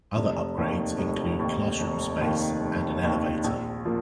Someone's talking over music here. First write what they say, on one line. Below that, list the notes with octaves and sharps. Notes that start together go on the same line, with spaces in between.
Other upgrades include classroom space and an elevator.
F1
D#2 D#3
F1
D#2 D#3
F1
D#2 D#3
F1
D#2 D#3
A#1
A#2 F3 A#3